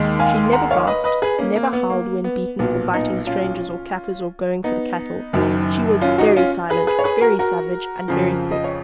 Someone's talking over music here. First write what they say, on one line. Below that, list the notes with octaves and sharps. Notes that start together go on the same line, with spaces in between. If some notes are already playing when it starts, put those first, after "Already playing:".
She never barked; never howled when beaten for biting strangers or kaffirs or going for the cattle; she was very silent, very savage, and very quick.
Already playing: D#2 D#3 G#3
F5 G#5
F#5 A#5
C#5 F5
B4 D#5
B4 D#5
G#4 B4
A#3 C#4
A#3
B3
A#3
B3
B1 A#2 F#3 B3
B3 D#4
C#4 F4
B3 D#4
F#1 F#2 D#3 F#3
C#4 F4
D#4 F#4
C#4 F4
G#4 B4
G#4 B4
C#5
G#4 B4
F#4 A#4
F#4 A#4
F2 C#3 F3
D#5
C#5